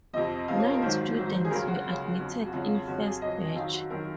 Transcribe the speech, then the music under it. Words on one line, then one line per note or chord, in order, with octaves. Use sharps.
Nine students were admitted in first batch.
F2 C3 F3 D#5
F2 C3 F3 F5
C#5
A#4
G#2 D#3 F#3 C5
G#2 D#3 F#3
G#4
C#2 C#3 F#3 A#4
F#4
C#2 C#3 F#3
F2 C#3 F#3
F#4
F2 C#3 F#3 F4
F2 C#3 F#3 F#4
G#4
F2 C#3 F#3 D#5
F#2 D#3 F#3 F5
F#4
F#2 D#3 F#3 A#4